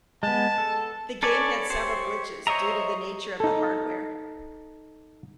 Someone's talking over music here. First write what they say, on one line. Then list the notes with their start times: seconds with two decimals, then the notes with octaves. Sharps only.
The game had several glitches, due to the nature of the hardware.
0.23 G#3 B3 A5
0.58 A4
1.23 A4 B4 C#5 D5 G#5
1.70 G4 C5 C#5
2.47 C5 C#5 D#5 E5 A#5
3.40 D#4 A4